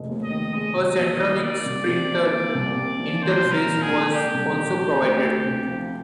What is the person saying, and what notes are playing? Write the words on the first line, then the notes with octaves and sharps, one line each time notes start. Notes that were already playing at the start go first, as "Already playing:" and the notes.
A Centronics printer interface was also provided.
Already playing: F1 G#3
D#2
D#5
D#3
G#3 D#5
F1
D#2 D#5
D#3
A#3 D5
C2
C3
F3
A#3
C2
C3
F3
D4 C5
C2
A#4
A#2
G#4
G#3
D4 G4
C2
A#2
G#3
D2
D2
C3
F3